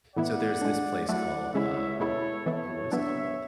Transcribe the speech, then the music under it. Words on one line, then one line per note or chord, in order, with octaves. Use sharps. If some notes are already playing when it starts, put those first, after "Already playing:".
So there's this place called, um Oh, what is it called?
A2 E3 B3 E4 D5 F#5
A2 G#3 D4
F#3 A3 E4 D5 F#5
C#3 G#3 C#4 E4 C#5 E5
B2 G#3 B3 E4 A4 C#5
E3 B3 E4 A4 C#5
F#3 B3 D4 C#5 E5